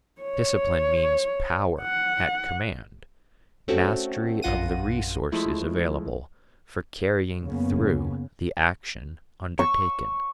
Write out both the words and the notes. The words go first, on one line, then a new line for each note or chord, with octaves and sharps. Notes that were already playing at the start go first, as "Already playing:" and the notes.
Discipline means power at command; mastery of the resources available for carrying through the action undertaken.
C#5
F#5
A3 C4 C#4 F#4 A4
A#1 F#2 F4 F#5 A#6 D#7
F3 G#3 A3 E4
F#2 C#3 A#3 B3 C#4
C#6 E6